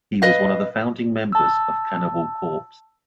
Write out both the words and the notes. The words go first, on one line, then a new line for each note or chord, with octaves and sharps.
He was one of the founding members of Cannibal Corpse.
B4 D#5 F5
A5 E6